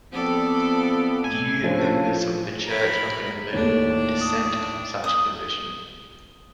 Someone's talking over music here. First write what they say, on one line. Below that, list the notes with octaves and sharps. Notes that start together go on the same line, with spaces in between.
Few members of the Church of England would dissent from such a position.
F3 B3 C4 A4 D5
A2 G#5
F3 C#4 D4
A#4 B5
D#2 A2 D4 A4 A#4 C#5
A5 D#6
D#6